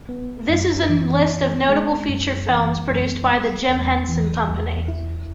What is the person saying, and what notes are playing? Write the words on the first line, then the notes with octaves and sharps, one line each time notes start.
This is a list of notable feature films produced by The Jim Henson Company.
B3
F#2
E3
E4
G#3
F#2
E3
F#2
B3
E2
E3
E2
E4